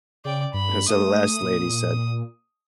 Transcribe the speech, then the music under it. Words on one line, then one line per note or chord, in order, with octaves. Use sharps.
And so the last lady said
C#3 D5 G5
G2 B5
A3 D#6
A#2